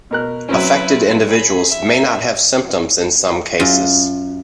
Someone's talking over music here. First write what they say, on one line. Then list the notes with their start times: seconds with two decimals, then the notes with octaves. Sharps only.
Affected individuals may not have symptoms in some cases.
0.11 B2 A#4 F#6
0.49 F#3 C4 C#4 E4 B4
1.28 G#4 B5
1.69 E5
3.60 F#2 F4